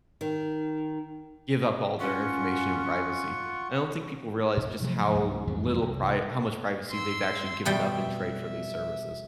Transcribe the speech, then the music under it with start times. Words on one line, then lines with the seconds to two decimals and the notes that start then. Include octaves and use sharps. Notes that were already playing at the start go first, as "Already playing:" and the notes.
give up all their information and privacy. I don't think people realize just how little pri how much privacy they've actually given up in trade for these services.
0.21 D#3
2.00 C#4 F4 F#5 C#6
4.57 A#2
4.81 C3 F3 F#3 A3
5.14 C#2 G2 F#3 A#3
5.47 A1 F2 E3 G3
5.82 C2
6.90 C6 E6
7.65 B2 G3 E5 G5